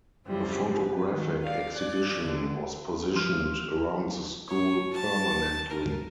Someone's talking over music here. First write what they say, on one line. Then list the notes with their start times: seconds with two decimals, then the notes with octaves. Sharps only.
A photographic exhibition was positioned around the school permanently.
0.25 F#2 C#3 F3 G3 C4 E4
0.79 B4
1.10 D#3
1.42 D5 F5
1.75 D5 G#5 D6 F#6
2.23 D3
3.16 F3 C6 F6
4.48 C#5
4.93 A5
5.70 A#4